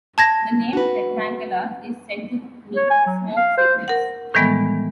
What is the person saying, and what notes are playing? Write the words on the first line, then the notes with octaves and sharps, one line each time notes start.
The name "Tertangala" is said to mean "smoke signals".
A5 G#6 A#6
F#4 B4
C#5
G#5
F#3
F5
C5
A#4 F#5
A2 D#3 E3 G3 G#3 B3